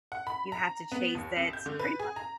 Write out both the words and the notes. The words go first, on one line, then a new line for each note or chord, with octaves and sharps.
you have to chase it pretty much
F#5
B5
A#5
B3
D#2
C2
G6
D3
B4
G#4
A#5